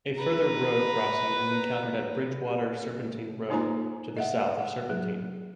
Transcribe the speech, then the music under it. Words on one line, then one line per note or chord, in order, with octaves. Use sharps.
A further road crossing is encountered at Bridgewater-Serpentine Road, to the south of Serpentine.
B4 A#5
A#3 D#4 F4 C5 G#5 A#5
D#5 E5 F#5
F#5
F#3 G#4